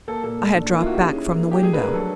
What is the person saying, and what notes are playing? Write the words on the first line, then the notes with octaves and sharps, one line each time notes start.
I had dropped back from the window.
A#3 A4
A#2 A4
A3
D4
A#3 E4
F4
D#4 F#4
G4
C#4 G#4
E4
A#3
D4 G4
A3 G#4
B4
D4 A#4
F#3 A4